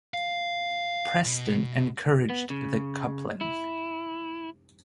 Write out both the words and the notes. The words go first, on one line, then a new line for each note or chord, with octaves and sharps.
Preston encouraged the coupling.
F5
B2
B3
C#3
E4